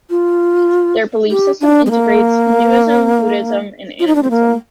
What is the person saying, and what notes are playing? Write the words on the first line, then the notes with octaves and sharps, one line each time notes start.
Their belief system integrates Hinduism, Buddhism and animism.
F4
G4
D4
G#3
A#3
F4
D#4
D4
C4
A#3